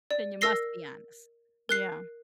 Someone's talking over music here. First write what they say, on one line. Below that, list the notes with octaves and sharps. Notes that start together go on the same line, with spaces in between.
Then you must be honest. Yeah.
D5
A#4 E6 A#6 C7 G7
A#4 F#6 C7